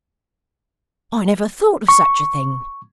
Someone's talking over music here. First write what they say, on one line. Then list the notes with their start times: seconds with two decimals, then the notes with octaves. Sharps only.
'I never thought of such a thing.'
1.88 C#6